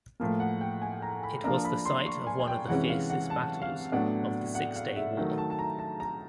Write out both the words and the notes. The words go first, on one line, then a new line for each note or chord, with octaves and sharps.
It was the site of one of the fiercest battles of the Six-Day War.
A2 F3 A#3
F#5
G5
G#5
A#5
B5
F3 A#3 D4 A#5
B5
C6
C#6
G#5
G#5
G5
C3 E3 G#3 C#4 F#5
F5
F#5
A5
F5
A2 F#3 B3 D4 F#5
F#5
F5
E5
D#3 F#3 A3
A5
A5
A#5
A5
A#5